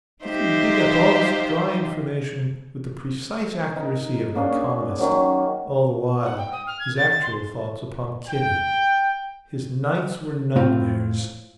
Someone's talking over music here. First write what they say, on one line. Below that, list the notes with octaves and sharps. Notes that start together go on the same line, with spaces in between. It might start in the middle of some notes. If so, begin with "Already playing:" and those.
He could dig up all this dry information with the precise accuracy of an economist, all the while his actual thoughts upon Kitty. His nights were nightmares.
D#4 F4 G4 C5 E5
D#4 A#4
A#3 C#4 D4 G#4
D#3 F#3 C#4 D6
F#5
G5
D#6
F6
G#6
A6
A6
C6
G5
A2 C4 F4